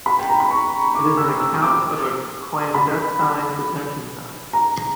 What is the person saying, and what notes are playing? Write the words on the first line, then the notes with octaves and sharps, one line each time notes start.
It is an account of a clandestine detention center.
B5
G5
A#5
B5
C#6
D6
E6
E6
D6
B5
A#5